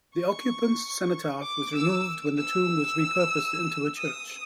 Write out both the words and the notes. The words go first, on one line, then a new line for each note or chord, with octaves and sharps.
The occupant's cenotaph was removed when the tomb was repurposed into a church.
C#6
D6
E6
E6
D#6